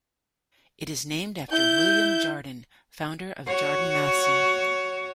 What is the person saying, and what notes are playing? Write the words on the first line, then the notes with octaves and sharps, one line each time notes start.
It is named after William Jardine, founder of Jardine Matheson.
E4 G6
F#4 C#5